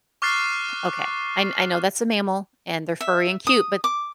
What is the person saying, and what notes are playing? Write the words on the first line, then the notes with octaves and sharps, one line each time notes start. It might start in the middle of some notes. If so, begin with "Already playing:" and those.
okay, I kn I know that's a mammal and they're furry and cute, but
C#6 D6 F6 F#6 A6 C7
E5
D#6
D6